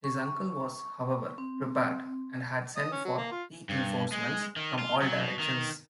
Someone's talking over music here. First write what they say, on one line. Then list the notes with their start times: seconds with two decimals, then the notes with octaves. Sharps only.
His uncle was, however, prepared and had sent for reinforcements from all directions.
0.04 C#6
1.38 C4
2.77 D#5
2.92 C#4
3.05 F#3
3.18 A#3
3.32 F4
3.69 G2
4.12 G#3
4.56 D#3
4.79 F4
5.02 F#3
5.18 B2
5.39 D#3